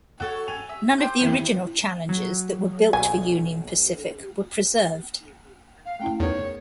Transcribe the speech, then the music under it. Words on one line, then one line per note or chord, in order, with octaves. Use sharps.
None of the original Challengers that were built for Union Pacific were preserved.
F#4 A4 C#5
G#5 F7
E5
G4 C5 G6
G#1 F2 E3
F#3
B1 G#5
F5
A3 C#4 E4 G5
E2 D#4 A#4 B4 C#5